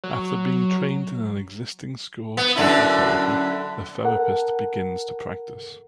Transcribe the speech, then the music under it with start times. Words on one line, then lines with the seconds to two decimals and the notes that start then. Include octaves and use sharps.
After being trained in an existing school of psychotherapy, the therapist begins to practice.
0.04 F#3
2.37 B3
2.56 F#2 D3 E4
4.04 A4 A#4 F#5